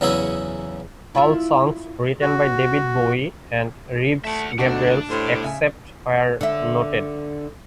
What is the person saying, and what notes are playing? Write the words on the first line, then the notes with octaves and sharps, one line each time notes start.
All songs written by David Bowie and Reeves Gabrels except where noted.
E2 C#3 F#3 C#4 E4 G#4
E4 F4 E5
F#4
A3 E5 F#5
D2 C4 D4 D#4 F#4
A2 G3 C5
C#3 E5 G#5
D3 E5